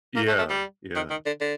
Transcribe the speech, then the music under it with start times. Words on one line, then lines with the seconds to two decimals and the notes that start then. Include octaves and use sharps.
Yeah. Yeah,
0.16 A#3
0.28 A3
0.38 A3
0.50 G3
0.96 D#3
1.10 D#3
1.26 D3
1.41 D3